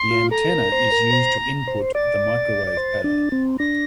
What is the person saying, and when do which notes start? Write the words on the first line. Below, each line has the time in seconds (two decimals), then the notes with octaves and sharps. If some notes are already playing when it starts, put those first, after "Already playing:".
The antenna is used to input the microwave power.
Already playing: C6
0.11 F4
0.31 A4 A#5
0.51 A#4
0.72 C5
0.92 A#4
1.13 C5
1.67 C5
1.95 D5 A6
2.67 D5
2.77 C5
3.04 D4
3.32 C4
3.59 D4 A#6